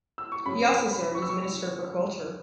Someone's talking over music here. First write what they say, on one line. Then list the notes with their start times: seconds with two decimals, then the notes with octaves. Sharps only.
He also served as Minister for Culture.
0.18 E6
0.32 C#6
0.46 F#2 C#3 F#3 B5
0.68 B5
0.92 B5
1.15 C#6
1.22 E6
1.29 C#6